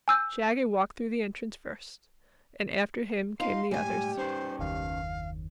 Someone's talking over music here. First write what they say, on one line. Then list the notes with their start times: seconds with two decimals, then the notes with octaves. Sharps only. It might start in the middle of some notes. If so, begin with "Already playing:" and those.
Shaggy walked through the entrance first, and after him came the others.
0.08 G#5 E6 G6
3.40 D#4 F4 F5 C6
3.71 A2 G3 G#3 G4 G#5
4.17 C#4 D#4 B4 C5
4.59 F#1 D#2 F5